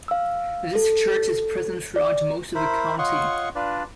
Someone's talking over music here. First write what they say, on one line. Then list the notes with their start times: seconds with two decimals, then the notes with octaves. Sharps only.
This chert is present throughout most of the county.
0.08 F5 E6
0.75 A4
1.96 D5
2.55 E4 A#4 C5 B5
2.98 F4 C#5 D#5 F#5 C6 C#6
3.55 D4 F4 B4 D5